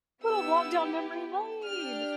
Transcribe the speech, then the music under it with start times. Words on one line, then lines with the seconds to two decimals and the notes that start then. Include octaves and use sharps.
Little walk down memory lane.
0.24 B3 E4 G4 E6
1.64 D4 G4 F6